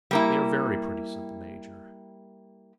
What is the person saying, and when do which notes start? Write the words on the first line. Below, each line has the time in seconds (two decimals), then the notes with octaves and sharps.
"They are very pretty," said the major.
0.11 G3 A#3 E4